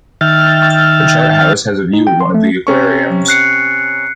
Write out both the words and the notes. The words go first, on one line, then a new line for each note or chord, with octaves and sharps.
The Chart House has a view of one of the aquariums.
D#3 E5 G5 F6 A6
D#4
G5
C6
A3
C3 C#4 C#6
F#6 C7 C#7